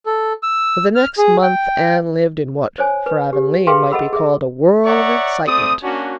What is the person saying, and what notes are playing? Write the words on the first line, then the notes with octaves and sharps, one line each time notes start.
For the next month Anne lived in what, for Avonlea, might be called a whirl of excitement.
A4
E6
F6
G#4
G5
C5 C#5 G#5
B4
G4
G#4 B4 E5 F5 G5 C6
A4 D#5 F#5 B5 E6
G#4 E5
C#5 D5 E5 F#5 A#5 C#6
A3 C4 D5 D#6
A#3 C#4 D4 F#4